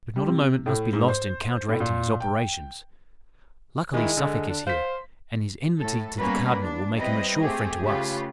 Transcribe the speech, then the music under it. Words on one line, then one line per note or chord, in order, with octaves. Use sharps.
But not a moment must be lost in counteracting his operations. Luckily, Suffolk is here, and his enmity to the cardinal will make him a sure friend to us.
G3
C3
A2
G#2
C5
A2
A#2
G5
D#3 G#3 E4
D3 A4
D4
C5 F5 B6
A2 A4
G3 A#3 B3 C#4 A#4 B4
D4
G3 C4 E4 B4 D#5
A3 C4 G4 G#4
C#3 A3 F4 G4 B4